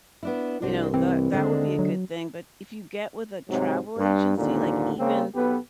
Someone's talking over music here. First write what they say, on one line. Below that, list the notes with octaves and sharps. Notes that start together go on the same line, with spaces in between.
you know, that that would be a good thing, but if you get with a travel agency, like even
B3 D4 E4
C2 D4 F#4 C5
E3 C4
D#2 D3 G#3 D4
F#3
G#2 C3 F#3
G2
G#1 D#2 A#2 D3
C#3 A#3 C4
B1 B3 G4 A4 B4